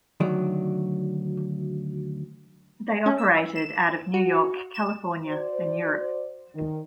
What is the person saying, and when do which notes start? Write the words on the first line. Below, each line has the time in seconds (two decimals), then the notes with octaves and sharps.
They operated out of New York, California and Europe.
0.20 D2 D#3 F#3 D5
3.06 C#4
3.18 E6
3.56 E7
4.14 F#4
4.74 E7
5.27 F#4 C5 D5
6.55 D#3